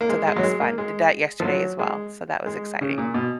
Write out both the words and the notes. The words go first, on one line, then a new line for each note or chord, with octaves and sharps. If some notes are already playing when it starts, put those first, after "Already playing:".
so that was fun, did that yesterday, as well, so that was exciting.
A#3
G#3
G#3
F#3
G#3
A#3
G#3
F3
F#3
G#3
G#3
C#3
A#2
B2